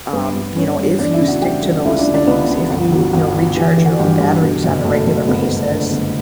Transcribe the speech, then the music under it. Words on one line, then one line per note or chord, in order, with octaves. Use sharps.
um, you know, that if you stick to those things, if you, you know, recharge your own batteries on a regular basis,
G2 B3 B4
G2
G2 C#4 C#5
G2
E2 D4 D5
E4 E5
C#3
F#4 F#5
G3 G4 G5
G3
C#2 E4 E5
D4 D5
C#2
D4 D5
C#2 B3 B4
C#2
G1
F#3
G1
F#3
E3 G4
E3
F#4
G2 G4
G2
B2
F#1
B2 A3 A4
F#1
G1 B3 B4
B3 B4
G1
A3 A4
D3
G1